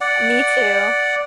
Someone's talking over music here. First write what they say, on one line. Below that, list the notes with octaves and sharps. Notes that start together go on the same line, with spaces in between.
Me too.
D5 F#5